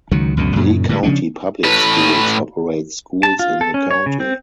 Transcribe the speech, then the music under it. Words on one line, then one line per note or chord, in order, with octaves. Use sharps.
Lee County Public Schools operates schools in the county.
C#2 D#3 F#3
C#2 F#2 B2 D3
F#2 A#2 C#3
A2 D3 G#3
C#3 F3 C#4 D4
A2 B4
A5
F4
A4
C#4
C#5
C#3
C4